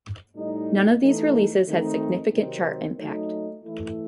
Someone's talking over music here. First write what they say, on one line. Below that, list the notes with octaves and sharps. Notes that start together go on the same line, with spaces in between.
None of these releases had significant chart impact.
A2 G3 D#4
E3 A3 D#4
D#3 A3 C4 D#4
C3 D#3 F#3 C4 D#4
F#3 A3 D#4
E3 A3 E4